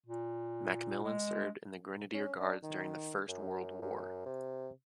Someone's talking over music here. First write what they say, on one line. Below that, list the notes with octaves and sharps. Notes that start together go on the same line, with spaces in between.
Macmillan served in the Grenadier Guards during the First World War.
A#2
G#3
C#4
D4
D#3
F#2
F#2
C3